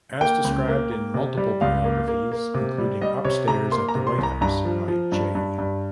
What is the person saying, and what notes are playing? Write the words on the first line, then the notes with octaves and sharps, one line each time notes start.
As described in multiple biographies, including "Upstairs at the White House" by J.
A#3 G5
C#2
A#3
A#3
C3
G3
C#2 F5
A#3
A#3
A#3
C3
G3
G3 D#5
C3 C#5
C3 A#5
A#3 C6
A#5
C3
C6
C2
A#5
G2 A#5
F3
F3
G2
G2
G2